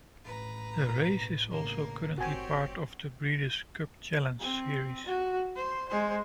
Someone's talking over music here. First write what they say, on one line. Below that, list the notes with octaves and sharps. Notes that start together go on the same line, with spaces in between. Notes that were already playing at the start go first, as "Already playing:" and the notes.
The race is also currently part of the Breeders' Cup Challenge series.
A1 B4 A#5
B2
D2 C#3 A#3
G1 C4 F#4 G4 C#5 G#5
C4
F#4
C5
G#3 C5